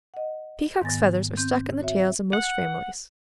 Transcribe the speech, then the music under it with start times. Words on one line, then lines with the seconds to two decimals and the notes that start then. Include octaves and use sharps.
Peacocks' feathers are stuck in the tails of most families.
0.14 D#5 F#5
0.82 G#2 D#3 B3 G#5 A6 A#6
1.37 C4 G6
1.81 F#4 C#5 E5
2.33 F#5